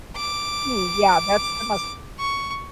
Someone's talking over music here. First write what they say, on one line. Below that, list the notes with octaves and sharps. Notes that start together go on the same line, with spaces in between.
"Ooh, yeah, that's the muscle."
D6
C#6